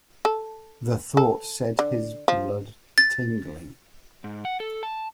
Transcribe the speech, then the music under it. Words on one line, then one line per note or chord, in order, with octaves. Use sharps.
The thought set his blood tingling.
A4
A4
D3
F3
A6
G#2
F#5
A4
A5